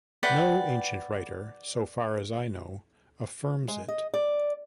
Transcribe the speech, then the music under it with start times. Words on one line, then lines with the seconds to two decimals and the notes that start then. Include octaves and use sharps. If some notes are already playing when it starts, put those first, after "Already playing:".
No ancient writer, so far as I know, affirms it.
0.23 B4 D5 F#5 G5
3.68 G#3
3.88 D#5
4.14 D5